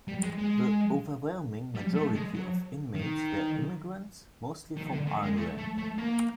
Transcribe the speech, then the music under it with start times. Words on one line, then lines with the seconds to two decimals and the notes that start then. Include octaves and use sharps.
The overwhelming majority of inmates were immigrants, mostly from Ireland.
0.08 G3
0.23 G#3
0.38 G#3
1.75 G3
1.95 A3
2.15 G#3
2.35 F#3
2.95 D#3
4.77 D#3
4.92 D3
5.07 D#3
5.23 G#3
5.37 A3
5.58 A3
5.78 A3
5.98 A#3